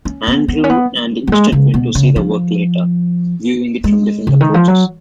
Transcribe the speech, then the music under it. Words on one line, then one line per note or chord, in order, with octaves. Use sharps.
Andrew and instead went to see the work later, viewing it from different approaches.
C#4
B3
B3
C#4
B3
F#3
G#3
C#3
B2
C#3
F3
G#3
C#3
D#3
F3
F#3